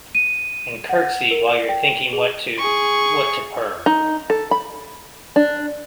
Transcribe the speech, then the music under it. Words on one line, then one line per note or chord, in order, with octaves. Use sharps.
And curtsey while you’re thinking what to—what to purr.
D#7
F#5
A#4
D5
G5
G#4
G#4 C#6
D#4
A4
B5
D4